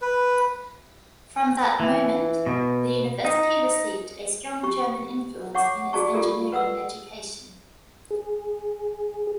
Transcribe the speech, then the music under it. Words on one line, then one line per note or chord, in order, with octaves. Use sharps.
From that moment, the university received a strong German influence in its engineering education.
B4
E3
B2
D#4
G4 C#6
C#5 F#5 C#6 D6
F#4 G#4 D5 A5 C#6
F4 G4 A4 A#4 D5
B4 F#5 D#6 E6
G#4